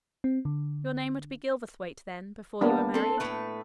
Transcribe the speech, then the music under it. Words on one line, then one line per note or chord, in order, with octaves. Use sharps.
"Your name would be Gilverthwaite, then, before you were married?"
C4
D3
A#3 B3 D4
C4 A4
A2 A3 B4